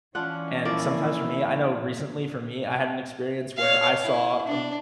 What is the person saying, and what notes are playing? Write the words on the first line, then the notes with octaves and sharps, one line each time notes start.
and sometimes for me I know recently for me, I had an experience where I saw a
E3 C#4 D4 F4 F#5
F3 A#3 E4 D5
C#5 F5
E4
D4